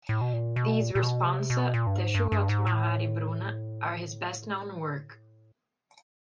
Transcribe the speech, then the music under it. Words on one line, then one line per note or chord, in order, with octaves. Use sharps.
These "responsa", "Teshuvot Mahari Bruna", are his best known work.
A2
B2
A#2
B2
A#2
A#2
B2
C3
B2
A#2
G2
G#2
G2
G2
G#2
A2